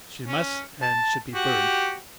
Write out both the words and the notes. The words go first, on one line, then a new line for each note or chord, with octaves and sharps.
She must and should be burnt.
C#4
A5
F#4 G4